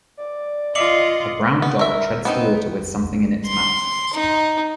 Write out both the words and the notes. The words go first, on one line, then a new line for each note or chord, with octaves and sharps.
A brown dog treads the water with something in its mouth.
D5
F4 D#5 D6 C#7 F#7
B3
A#4 E5
B3 C4 D#4
C6
D#4